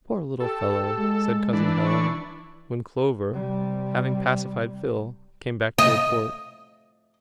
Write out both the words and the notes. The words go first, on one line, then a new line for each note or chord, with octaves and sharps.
"Poor little fellow!" said Cousin Helen, when Clover, having pacified Phil, came back to report.
G4 A4
G#3
E3 D4
C#6
C3 G3
D#5